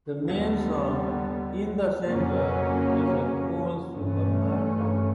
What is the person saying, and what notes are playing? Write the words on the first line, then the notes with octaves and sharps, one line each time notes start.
The main shop in the centre is a Coles supermarket.
D#2 D3 G3 B3
F2 C#3 F#3 A#3 C#4
G2 E3 A3 C#4